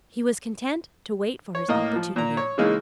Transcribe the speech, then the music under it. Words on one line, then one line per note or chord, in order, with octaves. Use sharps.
He was content to wait for his opportunity.
C#5
A2 A#3 D#5
F3
A#2 A#5
C#5
C#3 E3 G#3 A#3 D#4